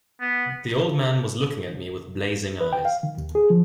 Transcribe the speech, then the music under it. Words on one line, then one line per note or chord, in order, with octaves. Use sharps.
The old man was looking at me with blazing eyes.
B3
B4
G5
F5
D#3
D#2
G#4
F3